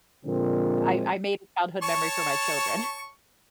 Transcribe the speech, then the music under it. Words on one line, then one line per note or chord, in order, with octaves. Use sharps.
I I made a childhood memory for my children.
A#2 D3 F3 G#3 A#3 C4
C#5 A5 C#6